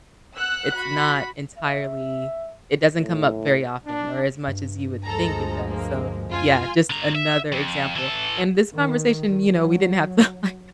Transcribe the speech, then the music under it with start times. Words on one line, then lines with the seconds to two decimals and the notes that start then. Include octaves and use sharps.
it's not entirely it doesn't come up very often or as much as you would think it does, so, yeah, just another example. In this conversation, you know, we didn't have to, like
0.37 F#5 E6 F#6
0.75 F#4 B5
1.58 E5
2.98 A2
3.85 D4
4.48 G2
5.06 D2 F3 G#3 A4 A#5
5.66 A#3
6.31 F#2 F4 G#5
6.90 D3 A#5
7.15 E5
7.52 F2
7.96 E3 A4
8.75 D#3
9.50 F#3